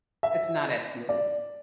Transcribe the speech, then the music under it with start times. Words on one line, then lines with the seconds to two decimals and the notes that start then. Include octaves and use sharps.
it's not as smooth.
0.23 E5
1.09 D5